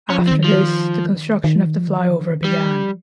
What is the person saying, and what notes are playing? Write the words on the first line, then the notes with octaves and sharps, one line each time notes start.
After this the construction of this flyover began.
C#4
F3
C4
D#3
F3
D#3
F3
D#3
F3
D#3
F3
D#3
F3
D#3
F3 G3